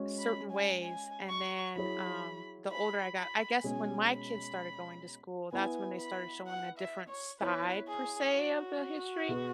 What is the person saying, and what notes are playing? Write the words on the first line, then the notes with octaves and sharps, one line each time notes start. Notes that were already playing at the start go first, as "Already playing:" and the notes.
certain ways, and then, um, the older I got I guess when my kids started going to school, that's when they started showing a different side, per se, of the history,
Already playing: G#3 C#4 F#4 C#5
B5
G#5
G#5
C#6
F#3 E4 G#4 C#5 B5
B5
B5
B2 G#3 C#4 G#4 G#5
B5
B3 E4 B4 G#5
B5
F#5
E5
C#5
B3 E4 B4 C#5
G#4
F#4
B2 B3 G#4 B4